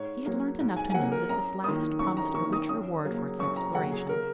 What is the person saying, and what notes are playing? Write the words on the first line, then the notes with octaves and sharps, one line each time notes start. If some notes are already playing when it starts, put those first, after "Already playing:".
He had learnt enough to know that this last promised a rich reward for its exploration.
Already playing: G#2 C#5
F#3 A#3
G#2
G#5
G#5
F#3 A#3 F#5
A#4
F#2 A#5
D#3 A#3 D#6
F#2 C#6
A#5
D#3 A#3 C#6
D#6
F#2 D#6
C#3 F#3 A#3
F#2 C#6
A#5
C#3 F#3 A#3 F#5
G#4
C#3 A#4